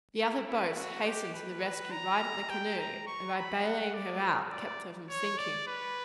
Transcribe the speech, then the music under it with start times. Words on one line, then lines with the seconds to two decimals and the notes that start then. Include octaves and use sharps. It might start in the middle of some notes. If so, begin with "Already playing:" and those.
The other boats hastened to the rescue, righted the canoe, and by baling her out kept her from sinking.
0.19 E4
0.47 E4
0.77 F#4
1.06 G4
1.34 B4
1.63 B4
1.91 A#5
2.49 G5
2.79 A#5
3.07 C#6
3.37 B5
3.64 F#5
3.94 D5
4.51 D5
5.09 C#5
5.38 D5
5.67 B4